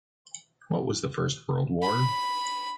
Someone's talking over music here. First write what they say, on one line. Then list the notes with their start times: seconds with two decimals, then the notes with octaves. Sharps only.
What was the First World War?
1.82 B5